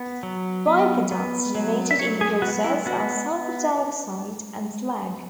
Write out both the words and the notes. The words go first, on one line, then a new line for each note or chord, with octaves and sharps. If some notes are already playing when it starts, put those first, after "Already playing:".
By-products generated in the process are sulfur dioxide and slag.
Already playing: B3
F#3
B3
B3
F#3
E5
F#3 C#5
G#4
B3 F#4
E4
B3 F#4